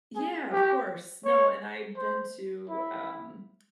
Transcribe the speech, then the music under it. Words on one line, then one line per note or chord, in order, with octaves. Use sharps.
Yeah, of course. No, and I've been to, um,
G#4
G4
C#5
C5
E4